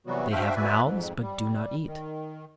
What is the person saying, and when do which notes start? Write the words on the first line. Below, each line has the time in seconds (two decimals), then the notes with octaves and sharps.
They have mouths, but do not eat.
0.07 C3 E3 F#3 G3 B3 F#4
0.31 D4 F#4 C5 E5 F5 G5
0.55 F#4 B4 D5 E5 G#5
0.83 F2 G#2
1.20 G3
1.86 D#3